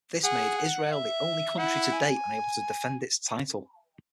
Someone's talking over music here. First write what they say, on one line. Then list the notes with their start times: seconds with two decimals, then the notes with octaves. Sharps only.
This made Israel the only country to date unable to defend its title.
0.24 G#4 F#5
0.58 F#5
0.92 E5
1.59 E4 F#5
1.93 G#5